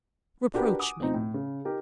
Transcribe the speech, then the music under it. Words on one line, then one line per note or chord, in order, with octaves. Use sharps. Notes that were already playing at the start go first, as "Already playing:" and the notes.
Reproach me.
D4 F#4 G4 A#4 B4
F#5 G#5 D6 D#6
D2 B2 F3 C4 D#4
A2
C#3
D#4 G4 A#4